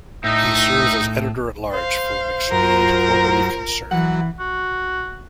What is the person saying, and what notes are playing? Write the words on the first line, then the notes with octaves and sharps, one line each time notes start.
He serves as editor-at-large for "McSweeney's Quarterly Concern".
A2 D#4 E5
C5 F5
F#2 F4 A#4 A#5
E3 F#3 F#5
F#4